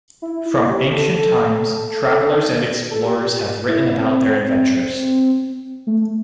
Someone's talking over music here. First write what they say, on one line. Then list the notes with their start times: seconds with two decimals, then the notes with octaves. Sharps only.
From ancient times, travelers and explorers have written about their adventures.
0.22 E4
0.46 E4
0.69 G4
0.92 A4
2.91 A4
3.05 G4
3.68 E4
3.99 C4
5.87 A3